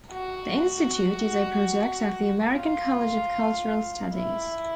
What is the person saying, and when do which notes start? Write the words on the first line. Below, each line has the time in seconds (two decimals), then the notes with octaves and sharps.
The Institute is a project of the American College of Cultural Studies.
0.13 F#4
2.53 F4
4.14 E4